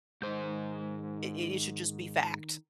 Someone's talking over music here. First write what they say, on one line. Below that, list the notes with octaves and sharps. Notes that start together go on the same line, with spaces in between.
i i it should just be fact,
G#2 D#3 C5 D#5 G6